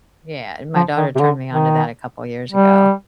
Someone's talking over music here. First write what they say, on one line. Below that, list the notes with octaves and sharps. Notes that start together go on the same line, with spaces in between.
yeah, my daughter turned me onto that a couple years ago,
F3
D#3
C3
D3
D#3
G3